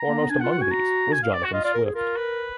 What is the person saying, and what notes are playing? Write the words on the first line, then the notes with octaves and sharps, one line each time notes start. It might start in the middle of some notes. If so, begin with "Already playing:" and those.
Foremost among these was Jonathan Swift.
Already playing: A#5
A#3
B3
D4 G#5
F#5
F4
F#5
F#4 G#5
A#5
G#5
F5
D5
F#4
F4 D#5
F4 D5
A#4
G#4
F4 A#4
B4